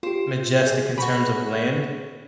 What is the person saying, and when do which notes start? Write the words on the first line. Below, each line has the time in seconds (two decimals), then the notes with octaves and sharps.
majestic in terms of land?
0.03 F4 G4 C5
0.66 G#4
0.98 F#4 C#5 B5